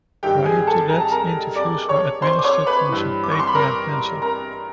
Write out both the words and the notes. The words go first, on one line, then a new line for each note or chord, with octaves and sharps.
Prior to that, interviews were administered using paper and pencil.
G2 D#3 G4 G5
G#4 G#5
A4 A5
A#5
A5
A#4 A#5
D5 D6
C#5 C#6
C5 C6
D6
C#5 C#6
B4 B5
G2 E3
D6
C#6
C6
B5
A#4 A#5
A#4 A#5